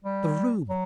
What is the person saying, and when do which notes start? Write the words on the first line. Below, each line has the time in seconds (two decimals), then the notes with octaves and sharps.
The room!
0.04 G3
0.69 F#3